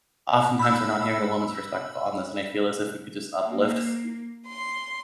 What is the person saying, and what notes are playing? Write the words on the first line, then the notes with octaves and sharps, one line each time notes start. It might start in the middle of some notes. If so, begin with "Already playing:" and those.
oftentimes we're not hearing the woman's perspective on this, and I feel as if we could just uplift, s
B5 E6
A#3
C6